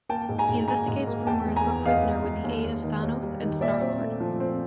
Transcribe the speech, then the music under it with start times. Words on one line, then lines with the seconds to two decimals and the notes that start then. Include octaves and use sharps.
He investigates rumors of a prisoner with the aid of Thanos and Star-Lord.
0.09 A#3 G5 A5
0.29 G#2
0.39 G#5 A#5
0.49 G#2
0.68 A#3 G#5 A#5
0.88 G#2
1.07 A#3
1.27 E2 G5 A5
1.47 E2
1.56 G#5 A#5
1.66 E2
1.85 E2 D#5 F5
2.05 E2
2.24 G#3
2.44 D#2
2.64 D#2
2.83 D#3
3.03 D#2
3.23 G3
3.42 D#3
3.61 A#2 D5 E5
3.81 C4
4.01 A3
4.20 F3
4.40 C4